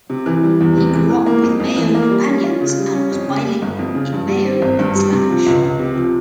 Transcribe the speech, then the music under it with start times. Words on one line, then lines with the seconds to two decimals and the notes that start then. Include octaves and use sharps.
He grew up with Mayo companions and was bilingual in Mayo and Spanish.
0.10 C3
0.26 E3
0.43 G3
0.60 E2
0.77 C3
0.94 E3
1.10 E3
1.26 A#3
1.43 F2
1.60 F2
1.77 E3
1.95 A#3
2.11 G3
2.27 C#4
2.44 F4
2.61 C#3
2.78 G3
2.95 C#4
3.12 F2
3.28 C#3
3.45 G3
3.62 G1
3.79 F2
3.95 C#3
4.13 G2
4.28 G3
4.45 C4
4.62 G#1
4.79 G2
4.95 G3
5.12 C3
5.29 F3
5.46 C#2
5.62 C#2
5.79 C3
5.96 F3